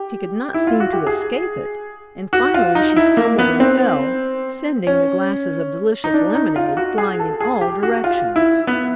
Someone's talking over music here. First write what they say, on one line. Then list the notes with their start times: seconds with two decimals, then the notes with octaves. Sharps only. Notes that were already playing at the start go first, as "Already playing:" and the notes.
She could not seem to escape it, and finally she stumbled and fell, sending the glasses of delicious lemonade flying in all directions.
Already playing: G4
0.54 E4
0.67 F4
0.80 F#4
0.93 G4
1.07 G#4
2.33 F#4
2.54 F4
2.75 D#4
2.97 E4
3.17 A#3
3.39 B3
3.60 C4
4.87 C#4
6.04 D#4
6.14 D4
6.35 D#4
6.56 F4
6.77 F#4
6.98 G#4
7.20 A4
7.40 G#4
7.61 G4
7.83 F#4
8.04 F4
8.36 E4
8.67 B3